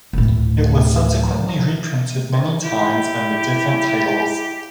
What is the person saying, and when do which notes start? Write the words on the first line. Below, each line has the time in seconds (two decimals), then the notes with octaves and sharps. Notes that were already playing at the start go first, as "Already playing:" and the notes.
It was subsequently reprinted many times under different titles.
0.13 D2 A2
2.64 E4 G4